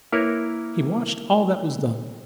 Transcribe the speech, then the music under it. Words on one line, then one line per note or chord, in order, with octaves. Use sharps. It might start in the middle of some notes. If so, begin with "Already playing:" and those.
He watched all that was done.
A#3 E4 A#4 B4 C#5